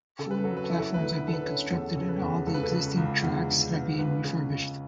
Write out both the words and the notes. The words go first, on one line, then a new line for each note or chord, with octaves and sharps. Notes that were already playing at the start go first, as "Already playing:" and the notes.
Four new platforms are being constructed and all the existing tracks are being refurbished.
C#3 A4
B4
F#3 A4
B4
A4
E4
A4
D2 B4
D3
A4
B4
C#4
E2 A4
C#3 A4
B4
E2
C#2 A4
B4
A4
C#3
C#2
E2
D3
B3
C#2 B4
C#3
C#2